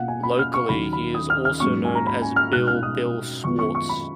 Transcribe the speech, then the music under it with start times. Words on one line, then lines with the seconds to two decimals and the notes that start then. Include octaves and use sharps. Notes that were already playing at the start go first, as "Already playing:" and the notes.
Locally he is also known as "Bill Bill" Swartz.
Already playing: B2 A#3 F4 F5 F#5
0.08 G#5
0.23 B5
0.39 F6
0.54 C#6
0.69 D#2 D#3 F#3 C#4 B5
0.93 B5
1.15 D#6
1.30 F6
1.45 F6
1.60 G#2 F#3 A#3 C#4 C#6
1.85 G#5
1.95 A#5
2.07 B5
2.22 G#5
2.36 F6
2.52 B2 G#3 D#4 F#6
2.67 F6
2.83 D#6
3.44 F#2 D#3 G#3 B3 F4 C#6
3.59 C#6
3.75 C#6
3.89 B5